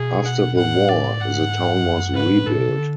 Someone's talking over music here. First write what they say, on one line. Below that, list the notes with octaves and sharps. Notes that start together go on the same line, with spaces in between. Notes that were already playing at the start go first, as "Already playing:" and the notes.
After the war, the town was rebuilt.
Already playing: B2 G#4
F#5
A2 F#5
D5
G#2 F#5
F#2
G#2 B4
A2
A2 A4
B2
C#3
D3